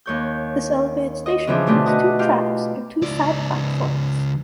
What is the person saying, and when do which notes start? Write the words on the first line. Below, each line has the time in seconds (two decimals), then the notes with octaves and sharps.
This elevated station has two tracks and two side platforms.
0.06 D#2 C#5 G6
1.26 D#5
1.47 C#3 E3 F3 D4 G#4
1.67 B2 D3 A3 C4 D4 D#4
1.86 D#4 F#4 B4 D#5
2.19 F4 G4 F5
3.03 C#2 D5